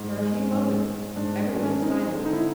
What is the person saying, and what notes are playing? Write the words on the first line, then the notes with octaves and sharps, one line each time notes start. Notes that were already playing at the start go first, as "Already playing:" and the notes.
For a few moments every one was silent.
Already playing: G#2
G#3
G#2
G#3
G#2 D4
G#2 C#4
D4
C#4
C4 D#4
D3
D#4
E4